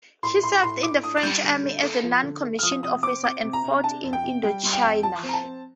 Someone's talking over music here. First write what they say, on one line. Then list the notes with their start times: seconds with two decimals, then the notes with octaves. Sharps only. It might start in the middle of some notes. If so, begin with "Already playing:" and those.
He served in the French Army as a non-commissioned officer and fought in Indochina.
0.23 A2 C6
0.43 A2 C6
0.63 A2 C6
0.83 A2 D6
1.03 D4 D#6
1.17 A6
1.23 G3 G6
1.43 D3
1.64 D3
1.83 A3
2.04 F3
2.23 D3
2.43 A3
2.59 F6
2.63 F3 D#6
2.83 C3 D#6
3.03 C4 D6
3.23 C4 D6
3.43 C3
3.53 A#5
3.63 C3
3.83 D4 A5
4.04 F2
4.13 G5
4.23 C3
4.43 G3 G5
4.63 G3
4.73 G5
4.84 F2
5.03 F3 A5
5.23 C4
5.29 A#5
5.33 A5
5.43 C4